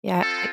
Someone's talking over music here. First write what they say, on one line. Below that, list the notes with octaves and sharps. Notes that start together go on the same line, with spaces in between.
Yeah. I
C4 F4 A4